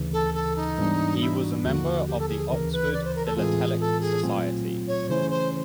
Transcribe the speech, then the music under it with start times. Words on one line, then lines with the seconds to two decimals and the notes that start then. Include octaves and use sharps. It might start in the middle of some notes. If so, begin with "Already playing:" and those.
He was a member of the Oxford Philatelic Society.
Already playing: D2 C#3 E3
0.13 A4
0.34 A4
0.56 D#4
0.78 G#2 E3 G3 B3 D4
1.21 E4
1.42 F#4
1.64 D#2 D3 F3 A#3 F#4
2.07 G4
2.19 A4
2.28 G#4
2.50 D2 C#3 E3 A#4
2.72 B4
2.93 D5
3.04 C5
3.15 A#4
3.26 A4
3.37 A2 E3 G#3 C4 F4 G#4
3.80 A4
4.01 G#4
4.23 A#2 F#3 A3 C4 F4
4.88 C#5
5.09 C#3 E3 A3 C#4 E4 C5
5.31 C5